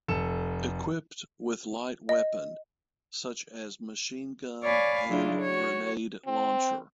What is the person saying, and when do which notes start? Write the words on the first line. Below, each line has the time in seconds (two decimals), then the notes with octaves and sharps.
Equipped with light weapon such as machine gun and grenade launcher.
0.08 F1 A4 E7
2.09 D#5
4.63 C#5 D5 F5 G#5 B5
5.09 C#3 F#3 D4 E4 F4
5.41 F#4 C#5
6.26 C4